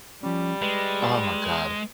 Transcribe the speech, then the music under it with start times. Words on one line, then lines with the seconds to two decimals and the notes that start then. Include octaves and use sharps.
Oh my god.
0.23 F3 G3 C#4
0.62 G#3 B4